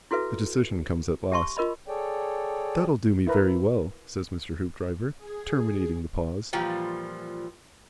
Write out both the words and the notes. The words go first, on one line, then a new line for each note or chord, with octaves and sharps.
The decision comes at last. "That'll do me very well," said Mr. Hoopdriver, terminating the pause.
E4 F#4 A4 B4 E5
G4 E5 A5 C6 C#6
F4 A#4 D#5 B5
G#4 A4 C#5 D5 G5
E4 A#4 B4
G#4
A#2 E3 F3 G3